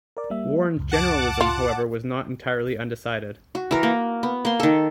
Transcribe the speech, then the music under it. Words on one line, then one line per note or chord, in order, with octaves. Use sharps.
Warren's generalism, however, was not entirely undecided.
A#4 D5
G3 A#3 E5
C#2 F#2
F#5 A5 D6
F4
F#4
E3 A#4
A#3
B3
A#3 C6
D#3 A4